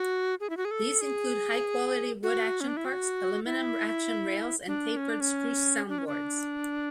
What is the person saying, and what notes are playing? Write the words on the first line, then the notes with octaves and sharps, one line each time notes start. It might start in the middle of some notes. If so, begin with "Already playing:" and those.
These include high quality wood action parts, aluminum action rails, and tapered spruce soundboards.
Already playing: F#4
G#4
E4
F#4
G#4
A4
G#4
F#4
C#4
D4
E4
F#4
E4
D4
C#4
D4
C#4
D4
C#4
D4